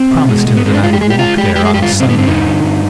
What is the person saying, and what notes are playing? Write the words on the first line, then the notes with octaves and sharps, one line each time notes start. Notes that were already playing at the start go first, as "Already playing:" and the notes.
I promised him that I would walk there on a Sunday.
Already playing: C4
B2
G#3
G#3
B3
G#3 C4
D4
G#3 F4
G4
G#3 G#4
G4
G#3 F4
G#3 G4
G#3 G4
G#4
G2 G4
F4
G2
C4
D3 B3
C4
G2 D#4
D3
G2